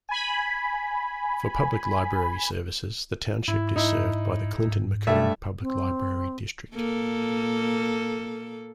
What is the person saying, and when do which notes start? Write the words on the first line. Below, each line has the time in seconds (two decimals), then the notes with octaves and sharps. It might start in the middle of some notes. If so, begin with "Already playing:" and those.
For public library services, the Township is served by the Clinton-Macomb Public Library district.
0.09 G#5 B5
3.48 G#2 E4
3.76 D#4 E4
4.67 G#2
5.07 G2 B2 A3 E5
5.62 C4
6.72 A#2 A#3 A4